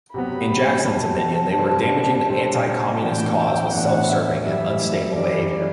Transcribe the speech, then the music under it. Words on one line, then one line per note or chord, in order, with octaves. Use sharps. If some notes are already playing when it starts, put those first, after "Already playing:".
In Jackson's opinion they were damaging the anti-Communist cause with self-serving and unstable behavior.
C3 F#3 B3 B5
C3 F#3 B3 A5
C3 G3 D4 A4 C5
C3 G3 D4 A4 C5
A2 E3 B3 D4 F#4 G5
A2 E3 B3 D4 F#4 F#5
E5
F#2 E3 G3 E5
F#2 E3 G3 D5